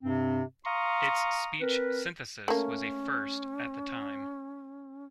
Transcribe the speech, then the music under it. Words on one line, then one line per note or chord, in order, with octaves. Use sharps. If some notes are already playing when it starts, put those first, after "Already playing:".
Its speech synthesis was a first at the time.
G2 C3 C4
F5 A#5 C6 C#6 D#6
C4 A#4 B4
A3 A#3 C#4